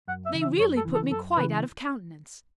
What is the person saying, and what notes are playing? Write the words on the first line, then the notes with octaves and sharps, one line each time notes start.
They really put me quite out of countenance.
F#2 F#5
E5
C#3 E3
E5
F#2 C#5
A4
C#3 E3
A4
F#2 A4
C#3 E3 B4